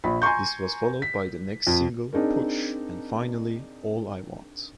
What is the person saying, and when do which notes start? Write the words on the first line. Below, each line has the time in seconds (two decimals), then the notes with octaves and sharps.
This was followed by the next single "Push" and finally "All I Want".
0.04 A#1 B5
0.22 G#5 A#5 C6 C#6 G6
1.02 B6
1.67 F2
2.13 C4 D4 D#4 G#4 A#4